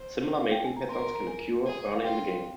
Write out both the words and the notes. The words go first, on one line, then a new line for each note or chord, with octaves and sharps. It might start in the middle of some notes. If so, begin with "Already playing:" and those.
Similar mating patterns can occur early in the game.
Already playing: C5
F5
G5
G#5
A#5
A#4 C6
C6
A#5
G#5
G#4
F5
F4 G5